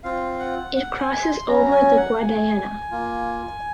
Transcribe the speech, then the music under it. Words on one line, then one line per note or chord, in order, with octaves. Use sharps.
It crosses over the Guadiana.
C4 F4 F5
F#5
F#5
G#5
C6
F#3 C#4 F#4 A#5
G#5
F#5
G#5
A#3 F4